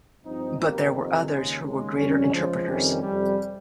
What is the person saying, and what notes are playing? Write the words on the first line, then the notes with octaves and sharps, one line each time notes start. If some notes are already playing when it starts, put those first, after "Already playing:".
But there were others who were greater interpreters.
G2 F3 C4 D#4
G#1 G2 D#3 G3 A#3
F2 C3 D#3
D#2 C#3 G#3
D#2 C#3 G#3
G1 F2 C#3 G3 C#4
C#2 C#3 F3 G#3
F2 C3 D#3 G3 C#4
F2 C3 G3